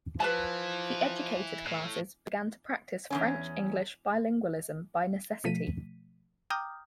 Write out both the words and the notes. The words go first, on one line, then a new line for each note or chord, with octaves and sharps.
The educated classes began to practice French-English bilingualism by necessity.
E3 F3 B4 A5
A2
E2 G2 C#4
B2 F3 A3 B6 D#7
G5 A#5 D6 D#6 F6 G6